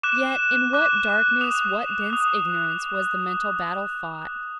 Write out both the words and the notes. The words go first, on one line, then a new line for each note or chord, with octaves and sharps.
Yet in what darkness, what dense ignorance, was the mental battle fought!
D6 F#6 E7
D6 F#6
D#6 F#6 F7
D#6 F#6